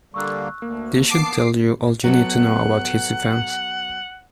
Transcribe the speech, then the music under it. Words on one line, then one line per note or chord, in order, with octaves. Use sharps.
This should tell you all you need to know about his defense.
D3 G3 A#3 C#6 E6 F#6
D2 A#3
B3 A5 D6 C7
F#3 B3 A4 F#5